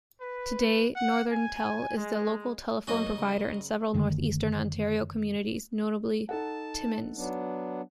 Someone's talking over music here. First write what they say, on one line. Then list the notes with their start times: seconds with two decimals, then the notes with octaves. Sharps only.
Today, NorthernTel is the local telephone provider in several Northeastern Ontario communities, notably Timmins.
0.21 B4
0.96 F#5
1.32 G#5
1.97 G#3
2.87 F#2 A#3 F#4 D#5
3.18 F#1
3.94 F#2 D3 D#3 A3
6.29 D#4 A4 F#5 A5
7.16 F#3 B3 D4